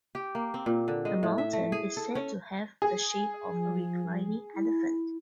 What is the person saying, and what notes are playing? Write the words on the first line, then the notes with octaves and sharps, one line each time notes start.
The mountain is said to have the shape of a reclining elephant.
G4
A#3
C4
A#2
D3
G#3
A2
E5
A3
G#4
A4
C#4
G#4
F3
E4